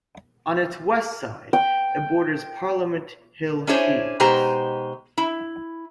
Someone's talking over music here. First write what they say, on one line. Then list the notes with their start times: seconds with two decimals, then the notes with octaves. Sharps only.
On its west side, it borders Parliament Hill Fields.
1.53 G5
3.67 C#4 D4 E4 G#4 C5 C#5
4.20 B2 G#3 D#4 G4 C5 A#5
5.18 E4